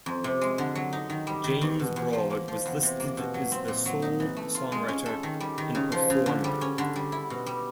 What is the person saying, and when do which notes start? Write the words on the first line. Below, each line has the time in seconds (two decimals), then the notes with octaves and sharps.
James Broad was listed as the sole songwriter and performer.
0.06 F2
0.24 C3
0.41 G#3
0.58 D3
0.75 F#3
0.93 D#4
1.10 D#3
1.27 G3
1.44 D#3
1.61 E2
1.79 B2
1.96 E2
2.13 F3
2.30 A#3
2.48 F3
2.65 E2
2.83 C3
3.00 A#3
3.17 B2
3.34 F#3
3.52 C4
3.68 A#2
3.86 F#3
4.02 D#4
4.20 E3
4.37 A3
4.55 F4
4.72 G#3
4.88 C#4
5.06 A4
5.23 D#3
5.40 G3
5.58 D#3
5.75 C#3
5.92 F3
6.10 C#3
6.26 D3
6.44 G3
6.61 C#4
6.78 D3
6.96 G3
7.12 E4
7.30 B2
7.46 G3